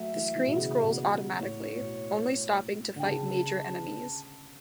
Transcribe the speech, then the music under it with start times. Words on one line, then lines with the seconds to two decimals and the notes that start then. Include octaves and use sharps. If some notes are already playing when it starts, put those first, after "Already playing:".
The screen scrolls automatically, only stopping to fight major enemies.
Already playing: F#3 A3 E5
0.15 E3
0.35 E3
0.47 B2
0.56 C#3
0.83 B2
1.39 A2 C#5
1.81 B2
2.96 D3 G5
3.04 C#3 A5